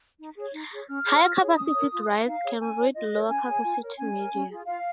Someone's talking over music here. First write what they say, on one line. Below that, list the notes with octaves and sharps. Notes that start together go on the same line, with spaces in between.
Higher-capacity drives can read lower-capacity media.
D#4
G#4 C#5
D#4
G#4 C#5
C#4 F6
G#4 C#5
F4
G#4 C#5
C#4 D#6
A#4 C#5
F4
C#5
D#4 F5
G#4 C#5
C#4 G#5
F4 C#5
F4 D#5
A#4 C#5
C#4 G#5
G#4 C#5
F4
A#4 C#5
C#4 G#5
A#4 C#5
C#4
F4 G#4
F4 F5